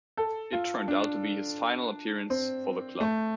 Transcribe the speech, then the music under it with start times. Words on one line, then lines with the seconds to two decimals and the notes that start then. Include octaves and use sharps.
It turned out to be his final appearance for the club.
0.17 A4
0.52 F4
0.88 D4
2.30 C4
3.00 A3